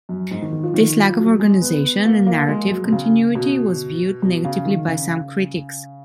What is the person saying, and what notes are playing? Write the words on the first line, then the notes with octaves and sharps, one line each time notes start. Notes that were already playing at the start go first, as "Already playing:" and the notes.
This lack of organization and narrative continuity was viewed negatively by some critics.
F#2
G#2
D#3
D#3
F3
D#3
F3
F#3
G#3
B3
A#3
A#3
G#3
F#3
B2
C#3
B2
B2
C#3
D#3
C#3